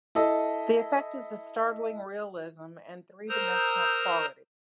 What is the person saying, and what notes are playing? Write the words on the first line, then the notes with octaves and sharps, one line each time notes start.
The effect is a startling realism and three-dimensional quality.
E4 A4 D#5
A#4 C5 A#5 D#6 E6 G6